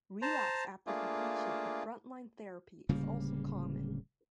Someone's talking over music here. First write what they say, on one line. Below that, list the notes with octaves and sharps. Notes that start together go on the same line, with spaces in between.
Relapse after completion of frontline therapy is also common.
C5 A5 A#5
A3 A#3 D4 F4 G#4
D1 C#3 G3 A#3